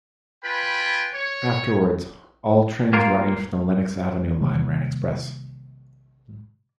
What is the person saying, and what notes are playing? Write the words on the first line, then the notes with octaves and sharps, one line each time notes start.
Afterwards, all trains running from the Lenox Avenue Line ran express.
F4 B4 G5 G#5 B5
C#5
A#3 F4 A#4
C3 D#3 G3 A#3